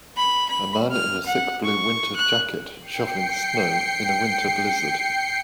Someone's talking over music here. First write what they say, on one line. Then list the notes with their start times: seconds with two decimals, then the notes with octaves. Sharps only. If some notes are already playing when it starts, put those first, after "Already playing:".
A man in a thick blue winter jacket shoveling snow in a winter blizzard.
0.16 B5
0.49 B5
0.92 F6
1.26 F#5
1.64 C#6
2.16 F#6
2.81 G5 C7 C#7